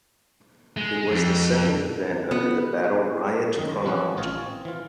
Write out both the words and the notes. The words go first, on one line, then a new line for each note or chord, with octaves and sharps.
It was the second event under the Battle Riot chronology.
G#3
F2
B3
F#2 D#3 D#5
E3 F3 C4 C#4 B4 F#5
A1 C#4 F4 C#5 D#5
C4
E3 F4